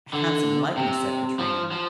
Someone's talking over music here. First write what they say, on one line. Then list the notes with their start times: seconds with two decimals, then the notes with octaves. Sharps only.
"A handsome likeness!" said Pittrino.
0.13 D3
0.77 C3
1.39 F3
1.71 F3